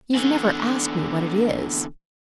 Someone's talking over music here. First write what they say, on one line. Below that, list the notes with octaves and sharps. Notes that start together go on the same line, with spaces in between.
You've never asked me what it is.
E2 D3